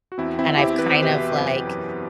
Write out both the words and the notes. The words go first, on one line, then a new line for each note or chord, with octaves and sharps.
and I've kind of like,
F#4
E2 C4 E4
C4 E4
E2
E4 G4
E2 B4
C5
B2 G4 B4
F#2
F#2